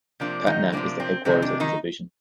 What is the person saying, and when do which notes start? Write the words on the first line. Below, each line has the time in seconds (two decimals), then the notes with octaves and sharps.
Patna is the headquarters of the division.
0.20 C3 F3 A#3 D4
0.47 D#3 D#4
0.72 C3 F3 A#3 D4
1.00 C4
1.25 F2 C3 D#3 G#3 C4
1.42 D4
1.60 D#3 D#4